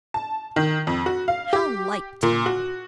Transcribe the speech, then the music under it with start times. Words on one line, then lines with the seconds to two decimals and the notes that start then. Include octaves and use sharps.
How like Tom!
0.14 A5
0.56 D#3
0.87 F2
1.06 F#4
1.28 F5
1.53 G4
2.23 A#2
2.46 F#4